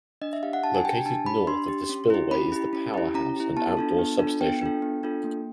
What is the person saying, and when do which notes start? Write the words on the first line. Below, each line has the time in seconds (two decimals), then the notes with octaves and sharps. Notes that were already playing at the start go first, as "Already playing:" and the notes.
Located North of the spillway is the powerhouse and outdoor substation.
0.22 D4 D#5
0.33 E5
0.43 G4 F5
0.53 F#5
0.64 D4 A5
0.75 G#5
0.85 G4 G5
0.95 G#5
1.05 D4 A5
1.26 G4 B5
1.47 D4 C6
1.68 G4
1.89 C#4
2.10 E4 G4
2.31 C#4 B5
2.52 E4 G4
2.73 C#4
2.94 E4 G4
3.14 C#4 A#5
3.36 E4 G4
3.57 B3 A5
3.77 D4 F4 A4
3.99 B3
4.19 D4 F4 A4
4.41 B3 G5
4.62 D4 F4 A4
4.82 B3
5.03 D4 F4 A4
5.24 A#3